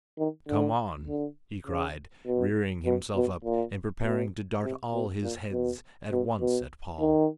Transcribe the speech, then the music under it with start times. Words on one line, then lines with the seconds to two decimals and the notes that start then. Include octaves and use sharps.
'Come on,' he cried, rearing himself up and preparing to dart all his heads at once at Paul.
0.19 D#3
0.49 D3
1.07 D3
1.66 C#3
2.27 B2
2.86 B2
3.15 B2
3.44 A#2
4.04 B2
4.64 C3
4.93 B2
5.23 A#2
5.52 B2
6.12 B2
6.41 B2
7.00 D#3